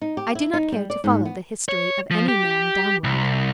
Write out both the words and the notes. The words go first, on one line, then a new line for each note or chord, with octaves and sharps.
I do not care to follow the history of any man downward.
D#4
G4
E4
D#4
G3
D5
G#2
B3
C#5
F3
G4
C2